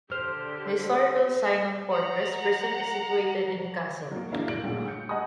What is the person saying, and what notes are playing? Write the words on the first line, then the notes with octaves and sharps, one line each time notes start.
The historical Sinop Fortress Prison is situated in the castle.
D3 G4 C5 F6
F#5 A#5
F#3 A#3
D4 E4 A#4 D5 E5 F5
D7 F#7
B1 A#2 D3 G#3 A3
G6 C#7
D#5 F#5 G#5 A#5 D#6